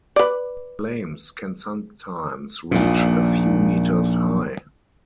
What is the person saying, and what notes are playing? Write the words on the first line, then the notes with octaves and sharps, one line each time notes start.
Flames can sometimes reach a few meters high.
B4 D5
A#1 D#2 A#2